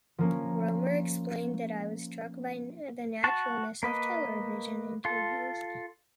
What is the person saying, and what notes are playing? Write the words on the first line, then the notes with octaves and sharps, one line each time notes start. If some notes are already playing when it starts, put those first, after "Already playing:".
Rohmer explained that I was struck by the naturalness of television interviews.
F3 A#3 C#4
F#4 A5
A#3 B4 D#5
F4 A4